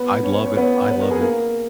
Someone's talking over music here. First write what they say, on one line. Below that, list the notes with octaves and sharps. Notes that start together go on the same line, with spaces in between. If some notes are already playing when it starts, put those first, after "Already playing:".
I'd love it I love it,
Already playing: B3 B4
C#4 C#5
C#5
B3 B4
B4
A#4
G#4
A#3 A#4